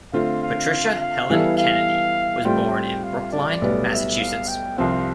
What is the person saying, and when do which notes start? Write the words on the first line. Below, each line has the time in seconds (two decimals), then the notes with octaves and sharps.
Patricia Helen Kennedy was born in Brookline, Massachusetts.
0.13 D3 A3 C4 F4 F5
0.43 F5
1.00 F5
1.30 E3 G3 B3 E4 A4
1.58 F5
2.45 A2 G3 C4 F4 G5
3.04 F5
3.32 D5
3.62 B1 A2 G3 B3
3.91 E5
4.20 F5
4.48 G5
4.78 C2 C3 F3 C4 F5